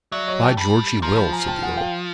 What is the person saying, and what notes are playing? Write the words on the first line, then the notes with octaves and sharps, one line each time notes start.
"By George, he will," said the earl.
F#3 D5 E5
C#5 D#5
G5 A5
G3 A5 B5
F3 A#5 C6
A5 B5
G#5 A#5
G5 A5
F#5 G#5
F5 G5